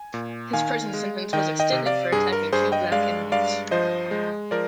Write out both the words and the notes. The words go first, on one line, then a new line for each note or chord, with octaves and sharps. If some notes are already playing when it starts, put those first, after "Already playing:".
His prison sentence was extended for attacking two black inmates.
Already playing: G#5
A#2
D#3 F5 G#5
G#3
D#3 D#5 G5
D#5 G5
C3
D5 F5
G2 G#4
A#4
G2 G#4 C5
D#5 G5
G#3 D5 F5
G2 D5 F5
F3 C5 D#5
G#3
F3 A#4 D5